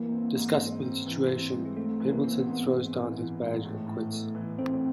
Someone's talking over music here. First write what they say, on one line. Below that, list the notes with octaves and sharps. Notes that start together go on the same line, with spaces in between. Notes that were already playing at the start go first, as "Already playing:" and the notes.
Disgusted with the situation, Pembleton throws down his badge and quits.
Already playing: E3 A#3
C4
G#2
C4
C4
E3
C4
E3 G3
G#3
A3 C4
E3
A#3
C4
B3
G#2
C4
E3
E3
G#2
A2
A2
A3
E3
A3 C4